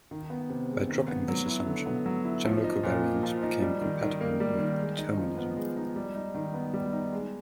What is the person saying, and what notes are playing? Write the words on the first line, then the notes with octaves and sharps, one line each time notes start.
By dropping this assumption, general covariance became compatible with determinism.
D#3
B3
C3
G#3
D#3
B3
F#3
E4
D3
B3
F#3
E4
F3
D#4
A#2
A#3
F3
D#4
G3
D#3
D#3
A#3
G3
D#3
G#3
D#4
F3
B3
G#3
D#4
G3
D#4
D#3
B3
G3
D#4
G#3